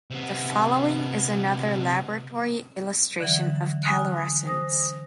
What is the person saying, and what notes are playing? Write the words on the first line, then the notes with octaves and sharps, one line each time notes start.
The following is another laboratory illustration of calorescence.
C3 B3
D3 E3 F#3
G#5 D#6 F6 F#6
C5 D#6 A#6